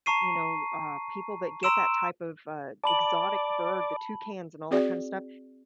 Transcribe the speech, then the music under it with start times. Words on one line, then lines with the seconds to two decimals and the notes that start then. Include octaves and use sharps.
you know, uh, people that get that type of, uh, exotic bird, the toucans and all that kinda stuff,
0.06 A5 A#5 C#6 C7 D#7
1.63 A#5 C6 E6 D7 E7
2.84 D5 A5 B5 F#7
4.71 C4 F#4 G#4 D5